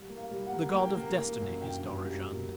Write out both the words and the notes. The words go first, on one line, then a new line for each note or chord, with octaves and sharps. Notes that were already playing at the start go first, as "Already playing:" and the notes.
The god of Destiny is Dorozhand.
Already playing: G3
A#3
F5
G3
F#5
A#3
A#3 G5
A#3
A#3
F#2
D3 G5
F#2
G3
A#3